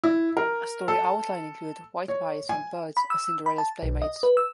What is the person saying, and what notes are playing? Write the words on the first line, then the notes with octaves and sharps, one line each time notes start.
A story outline included "white mice and birds" as Cinderella's playmates.
E4
A#4
A4
C#5
G#5
B5
E6
B5
A5
B1
D#5
B4
E6